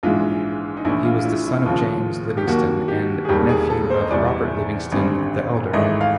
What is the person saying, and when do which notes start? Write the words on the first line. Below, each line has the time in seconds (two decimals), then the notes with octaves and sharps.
He was the son of James Livingston and nephew of Robert Livingston the Elder.
0.03 A#1 G#2 E3 G#3 F4
0.77 D#4
0.85 A#1 A2 E3 E4
1.05 F4
1.19 F4
1.25 E4
1.46 E4
1.66 D#2 C#3 F3 F4
2.37 G4
2.47 D#2 D#3 F#3 A#3 F#4
2.88 G4
3.25 G#4
3.29 E1 D#2 D#3 G3 A#3 G4
3.49 G#4
3.70 A4
3.90 C5
4.01 D#5
4.11 E2 C3 E3 G3 D5
4.92 G#1 F#2 D3 G3 C4
5.73 G#1 G#2 E3 A3 D#5
6.01 F5